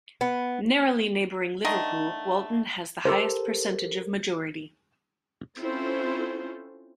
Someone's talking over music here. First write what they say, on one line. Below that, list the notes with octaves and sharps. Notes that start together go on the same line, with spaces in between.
Narrowly neighbouring Liverpool Walton has the highest percentage of majority.
B3
D3 D#3 A3 D#5
G4 A4 A#4 C5
C4 C#4 E4 F4 A4 C5